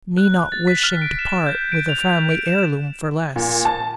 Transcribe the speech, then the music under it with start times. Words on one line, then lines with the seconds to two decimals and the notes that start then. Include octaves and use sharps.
"Me not wishing to part with a family heirloom for less."
0.17 F#6
0.52 A6
0.67 B6
0.84 F6
1.02 D7
1.19 E7
1.46 G6
1.72 D7
1.89 F7
2.31 D7
2.46 E7
3.36 A#2
3.65 A5